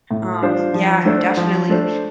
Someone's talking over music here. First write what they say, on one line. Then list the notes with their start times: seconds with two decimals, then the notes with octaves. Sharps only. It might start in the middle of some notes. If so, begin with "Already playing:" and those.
Um, yeah, definitely.
0.11 A2
0.42 G3 D4 F4 C5
0.74 F3
1.05 A3 D4 A4 C5
1.37 F3
1.70 A3 D4 A4 C5